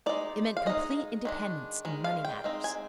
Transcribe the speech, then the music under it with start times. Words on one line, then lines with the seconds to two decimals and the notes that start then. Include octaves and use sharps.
It meant complete independence in money matters.
0.06 G#3 D#4 D5
0.57 F5
0.66 G#3 D#4 D#5
1.25 D#3 G#3 D4
1.85 D#3 G#3
2.04 F5
2.25 G5
2.44 G#3 C4 D#4
2.64 G#5